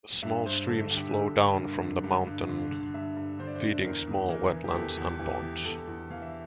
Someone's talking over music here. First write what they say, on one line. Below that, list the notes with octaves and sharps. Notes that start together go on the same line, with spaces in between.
Small streams flow down from the mountains feeding small wetlands and ponds.
G2 E5
G2 C5
D3 A4
D3 G4
G2 A4
G2
D3 A#4
D3
G2
G2
D3
D3
G2 E5
G2
D3 C5
D5
C5
D3
E2 A#4
E2
E3 A#4
E3
G4
E2 A4
E2
E3 G4
E3
E2 A4
E2
E3 F5
E5